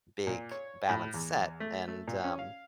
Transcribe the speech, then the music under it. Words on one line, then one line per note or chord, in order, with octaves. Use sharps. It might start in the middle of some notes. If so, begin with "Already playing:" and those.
big balanced set, and um,
A#2
C#5
A2
E2
A3
A3
A#2
C#4
F5